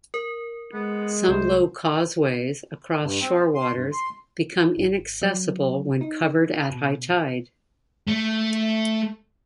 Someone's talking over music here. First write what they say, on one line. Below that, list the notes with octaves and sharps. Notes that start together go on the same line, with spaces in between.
Some low causeways across shore waters become inaccessible when covered at high tide.
A#4
G#3 B3
C2 C5
G2
C4
C6
G2
C6
G#1
F#3
D#4
B2
A3